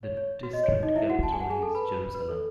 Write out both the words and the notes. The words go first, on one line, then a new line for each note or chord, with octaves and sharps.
The district capital is Jerusalem.
C#5
C#5
F#4
D#5
C#5
D#4 D#5
E4 E5
F#4 F#5
A5
G#5
F#5
G#4 G#5
A4 A5
B4 B5
B4 B5
B4
A4